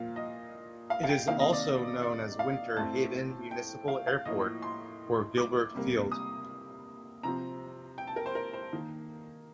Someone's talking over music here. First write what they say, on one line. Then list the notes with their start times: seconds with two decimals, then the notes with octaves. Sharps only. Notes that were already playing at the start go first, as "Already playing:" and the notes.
It is also known as Winter Haven Municipal Airport or Gilbert Field.
Already playing: A#2 F3 A#3 F5
0.16 D#5
0.90 F5
1.04 F5
1.09 G5
1.27 C3 D#3 A#3 F5
1.40 D#5
1.53 D5
2.02 D5
2.39 F5
2.77 A2 A3 C4 A5
3.51 G5
3.88 F5
4.07 F5
4.25 A2 F3 A#3 D#5
4.62 C6
5.37 D6
5.74 C3 G3 A#3
6.12 D#6
7.23 C3 F3 C4 A#5
7.98 G5
8.07 A5
8.16 A#4
8.26 C5
8.35 A#4
8.54 C5
8.73 D#3 A#3